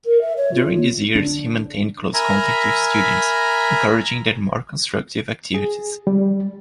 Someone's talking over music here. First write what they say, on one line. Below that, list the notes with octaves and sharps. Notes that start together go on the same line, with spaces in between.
During these years he maintained close contact with students, encouraging their more constructive activities.
A#4
E5
C#5
F4
A#3
D4
A#4 E5 G#5 A#5 B5
G#4
G3